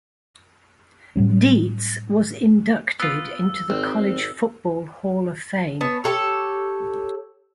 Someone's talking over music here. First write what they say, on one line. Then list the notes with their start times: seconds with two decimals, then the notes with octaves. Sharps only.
Dietz was inducted into the College Football Hall of Fame.
1.16 A2 F#3 G3 C#4
3.00 B3 F4 E6
3.70 G#1 C4
5.80 B3 C#4 A5
6.04 G4 A4 C#5